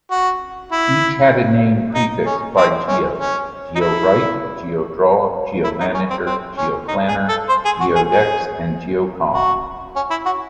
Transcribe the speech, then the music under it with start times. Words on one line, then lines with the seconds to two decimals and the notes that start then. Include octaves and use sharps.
Each had a name prefixed by "Geo": GeoWrite, GeoDraw; GeoManager; GeoPlanner; GeoDex, and GeoComm.
0.11 F#4
0.72 E4
1.95 D#4
2.26 C#4
2.57 C4
2.88 C#4
3.18 C#4
3.76 D#4
3.80 E4
5.64 E4
5.80 D#4
5.94 C#4
6.10 C4
6.26 C4
6.57 C#4
6.88 D#4
7.08 G#4
7.29 A4
7.49 C5
7.65 G#4
7.80 F#4
7.95 G#4
8.11 G#4
9.33 F#4
9.96 C#4
10.10 E4
10.25 F#4